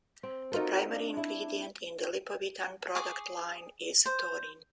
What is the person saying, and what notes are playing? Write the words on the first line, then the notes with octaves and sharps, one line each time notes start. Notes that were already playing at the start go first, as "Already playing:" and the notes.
The primary ingredient in the Lipovitan product line is taurine.
C4
D#4 F4 F#4 A4 A#4
D4
E4
G#4 C#6 D6
C5